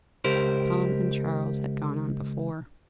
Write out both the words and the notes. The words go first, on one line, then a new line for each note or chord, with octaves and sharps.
Tom and Charles had gone on before.
C#2 G4 A#4 C5